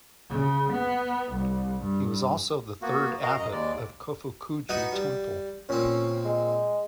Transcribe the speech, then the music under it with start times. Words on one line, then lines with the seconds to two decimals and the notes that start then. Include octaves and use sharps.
He was also the third abbot of Kofukuji Temple.
0.30 C#3
0.72 B3
1.32 C2
1.82 G2
2.82 A#3 B3 F#4
3.22 F#4 A#4 D#5 F5
3.36 F#2 D#5 A#5
3.52 D#2 G#3 D5
4.69 B3 D#4 F#4
4.93 G3
5.69 A#2 C4 C#4
6.25 G#3